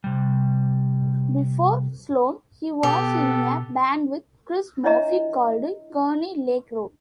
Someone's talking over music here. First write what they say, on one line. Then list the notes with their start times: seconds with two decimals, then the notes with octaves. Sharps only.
Before Sloan, he was in a band with Chris Murphy called Kearney Lake Road.
0.04 C3 G3
2.83 B2 B3 G4 A4
4.84 D4 E4 C#5 D#5 E5 A#5